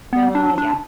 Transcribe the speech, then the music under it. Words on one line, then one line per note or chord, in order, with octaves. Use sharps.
Oh, yeah.
B3
D4
D4